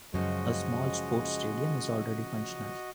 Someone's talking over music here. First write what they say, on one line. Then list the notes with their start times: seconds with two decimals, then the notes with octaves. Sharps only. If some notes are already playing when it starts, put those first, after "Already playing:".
A small sports stadium is already functional.
0.14 F#2 C#3 F3 G#3 F#4 D#5